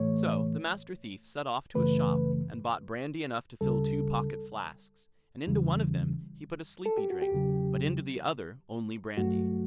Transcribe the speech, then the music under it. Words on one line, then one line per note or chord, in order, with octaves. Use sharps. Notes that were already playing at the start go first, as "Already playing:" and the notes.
So the Master Thief set off to a shop, and bought brandy enough to fill two pocket-flasks, and into one of them he put a sleepy drink, but into the other only brandy.
Already playing: A2 E3 A3 C#5
F#2 C#3 E3 A3 B4
D2 C#3 G3 A4
E2 C#3 E3 G3
A4
G4
F#4
G4
E2 C#3 F#3
G2 F#3 A3 F#4